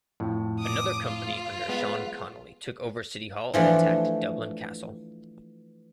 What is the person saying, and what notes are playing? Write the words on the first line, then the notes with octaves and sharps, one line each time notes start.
Another company under Sean Connolly took over City Hall and attacked Dublin Castle.
F2 A2
D6 D#6
F4
G#3 B3
E3 F3 A3 D4